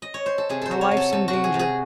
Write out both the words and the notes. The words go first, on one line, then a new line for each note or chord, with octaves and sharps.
Her life's in danger.'
D#5
C#5
C5
A4
C3 G#4
A4 C5
F#3
C#5
C3
A4
C3 A4
F#4
C3
G#4
C3
G#4